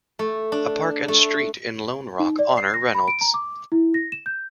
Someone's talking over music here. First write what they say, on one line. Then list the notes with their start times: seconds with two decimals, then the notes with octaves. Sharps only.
A park and street in Lone Rock honor Reynolds.
0.19 A3
0.52 D4
1.08 A3
2.19 D#4
2.39 D5
2.57 C7
2.74 A#6
2.95 B5
3.08 D7
3.21 A#5
3.34 D6
3.72 E4
3.94 A#6
4.12 E7
4.26 G6